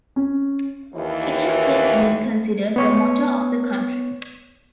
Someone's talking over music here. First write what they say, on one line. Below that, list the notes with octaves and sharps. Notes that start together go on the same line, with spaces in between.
It has since been considered the motto of the country.
C#4
D#2 E3
B3 C#5 C#6